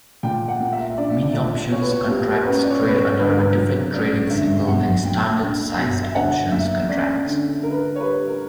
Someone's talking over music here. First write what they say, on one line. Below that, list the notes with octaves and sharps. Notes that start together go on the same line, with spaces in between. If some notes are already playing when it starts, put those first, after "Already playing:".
Mini-options contracts trade under a different trading symbol than standard-sized options contracts.
A#2 G5
F#5
A#3
E5
D4 D5
E5
D5
A#2
B2 C#5
B4
C#5
A#3 G4
A#4
C#4 B4
D5
C#5
B2 B4
C#5
D3 B4
A#4
B4
F#3
C#4 D5
D3 E5
B2 F#5
A#3 G5
D4
B2
E5
D3 F#5
A#3 E5
C#4 D5
D3
D3 A#4
B4
A#4
C#5
G3 B4
A#4